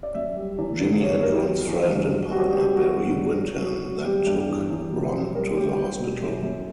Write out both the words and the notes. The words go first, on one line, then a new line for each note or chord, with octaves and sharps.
Jimmy and Ron's friend and partner Barry Windham then took Ron to the hospital.
D5
F#2 E5
G3
E2
D3
G2 C#5
C#5
F#3 A#4
G4
F#3
E2
G2
F#3
G3 F#4
G3 G4
F#3 F#4
G2
F#3
F#3
F#3
F#3
G3 G4
G2
E2
E2
B2
F#3
G3 A#4
G3 G4
G3 G4
B2
F#2
F#2